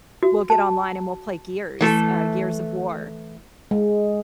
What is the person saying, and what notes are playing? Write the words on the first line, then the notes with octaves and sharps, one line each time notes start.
we'll get online and we'll play Gears, uh, Gears of War,
F#4
A5
E3 A3 A4
G#3